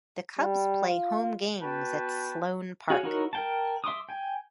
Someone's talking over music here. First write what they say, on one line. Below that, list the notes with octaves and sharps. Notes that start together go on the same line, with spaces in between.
The Cubs play home games at Sloan Park.
G3
F4
B3 F#4 B4 G5 A5
F#4 G#4 C#5 F5 G#5
D#4 E4 F#4 A#4 C#5
A#4 G5 A5
E5 C6 D6 D#6
G5 G#5